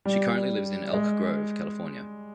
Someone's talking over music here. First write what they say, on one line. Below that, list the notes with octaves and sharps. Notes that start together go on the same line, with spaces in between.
She currently lives in Elk Grove, California.
G3
G#3